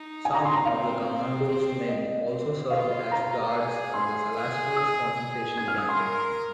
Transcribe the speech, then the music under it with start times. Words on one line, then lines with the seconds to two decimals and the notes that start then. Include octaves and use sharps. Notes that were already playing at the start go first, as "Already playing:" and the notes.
Some of the commando's men also served as guards at the Salaspils concentration camp.
Already playing: D#4
0.25 G#5
0.34 A#5
0.45 C6
0.55 A#5
0.65 C4 F5
1.47 C4
1.89 D#5
2.29 C4
2.70 F4 F5
3.11 A#5
3.53 G#4
3.94 C6
4.35 G#4
4.76 D#6
5.16 G#4
5.58 G#6
5.68 F6
5.78 D#6
5.89 C6
5.98 A#4